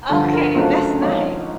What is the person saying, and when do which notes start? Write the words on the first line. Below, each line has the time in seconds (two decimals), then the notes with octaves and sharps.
Okay, that's nice.
0.09 G2 D3 F3 A4
0.33 A#4
0.55 C#2 C#3 F#3 A3 D4 C5
1.02 G#1 G#2 F3 C#5